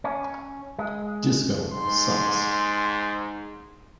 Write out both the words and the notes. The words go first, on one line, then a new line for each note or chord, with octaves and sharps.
Disco sucks.
C#4
G#3
G#2 C6